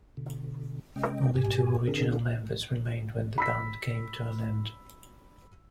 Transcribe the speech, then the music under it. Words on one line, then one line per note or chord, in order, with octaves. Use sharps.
Only two original members remained when the band came to an end.
B2 D3
C3 G#3 C#4 D#5 G5
G#2 B2 G4 G#5
D3 C4 D4 G#4 A#4
B5 E6 B6